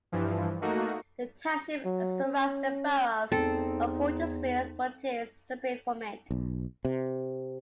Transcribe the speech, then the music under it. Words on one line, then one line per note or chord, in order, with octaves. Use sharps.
The township surrounds the borough of Portersville but is separate from it.
G2 E3 F3
A3 A#3 D#4 F#4
F#3
C#4
E2 C4 D#4 A4
B1
C3